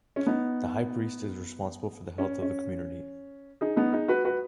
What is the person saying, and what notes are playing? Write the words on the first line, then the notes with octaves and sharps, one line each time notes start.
The high priest is responsible for the health of the community.
C#4
B3 D#4
C#4
C#4
D#4 G#4
B3 D#4
D#4 G#4
F#4 B4
F#4 B4